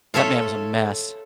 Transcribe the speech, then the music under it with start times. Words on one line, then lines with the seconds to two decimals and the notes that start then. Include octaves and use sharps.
That man was a mess,
0.14 F4 A4 C#5 E5